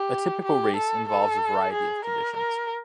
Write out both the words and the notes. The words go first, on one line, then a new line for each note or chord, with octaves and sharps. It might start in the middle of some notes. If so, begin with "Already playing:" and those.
A typical race involves a variety of conditions.
Already playing: G4
G4
A4
A4
G#4
A#4
A#4